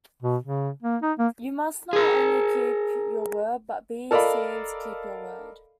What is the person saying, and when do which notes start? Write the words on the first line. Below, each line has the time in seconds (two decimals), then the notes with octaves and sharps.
You must not only keep your word but be seen to keep your word.
0.23 B2
0.44 C#3
0.83 A#3
1.02 D#4
1.19 A#3
1.93 G#4 A#4
4.11 A4 A#4 D5 D#5 F5 B5